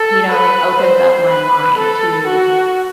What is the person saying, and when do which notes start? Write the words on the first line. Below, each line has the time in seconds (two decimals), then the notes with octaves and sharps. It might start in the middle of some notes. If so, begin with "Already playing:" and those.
you know, like, opens up my mind to
Already playing: A4
0.31 B4
0.80 C5
1.30 B4
1.78 A4
2.27 F#4